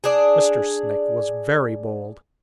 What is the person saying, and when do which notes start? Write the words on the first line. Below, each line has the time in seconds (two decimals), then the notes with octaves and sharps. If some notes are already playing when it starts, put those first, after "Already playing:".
Mr. Snake was very bold.
0.04 D4 G#4